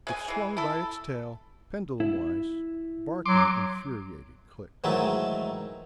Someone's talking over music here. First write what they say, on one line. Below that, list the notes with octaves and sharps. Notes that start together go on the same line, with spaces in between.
It swung by its tail, pendulum-wise, barking infuriated clicks.
G#3 C5 G#5
E3 G#3
E4 A4
E4
F#3 C6 D6
G#2 D#3 E3 F#3 A3